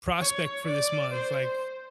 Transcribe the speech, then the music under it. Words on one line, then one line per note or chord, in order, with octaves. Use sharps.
prospect for this month, like,
C#5
D5
C5